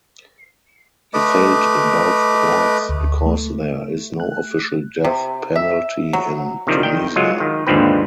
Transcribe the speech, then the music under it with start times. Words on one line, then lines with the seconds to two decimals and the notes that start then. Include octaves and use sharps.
He failed in both courts because there is no official death penalty in Tunisia.
1.14 A3 B4 D#5 D6
2.89 D2
3.26 A3
4.20 F#6
5.04 C3
5.56 E5
6.13 F#3
6.67 C3 D#3 F3 G3
6.83 D#3 G5
7.16 F#3 G#3 F4
7.40 D#3
7.67 D#2 G#2 D3 F3 C4 B4